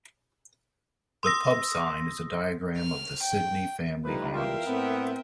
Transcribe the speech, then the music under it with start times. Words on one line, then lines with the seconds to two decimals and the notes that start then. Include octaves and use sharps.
The pub sign is a diagram of the Sydney family arms.
1.23 C6 D#6 E6 A#6
2.77 F6
3.23 G5
4.05 F3 G3 A3 D#4 E4 B4
4.34 E2 F4 A#4 E5 F5 G5
4.66 A2 B3 C4